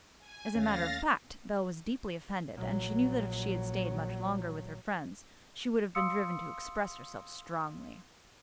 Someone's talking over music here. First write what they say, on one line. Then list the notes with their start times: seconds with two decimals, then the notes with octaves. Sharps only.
As a matter of fact Belle was deeply offended, and she knew that if she had stayed much longer with her friends she would have been driven to express herself strongly.
0.19 G#5
0.55 D#2 A3 C#4 F5 A6 A#6
2.57 A#1 F#3
5.95 F5 C6 D#6 E6 C#7